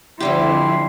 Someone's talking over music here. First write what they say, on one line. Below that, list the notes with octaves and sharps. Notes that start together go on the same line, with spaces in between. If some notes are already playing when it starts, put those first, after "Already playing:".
for real.
D3 G3 E4 G4 C6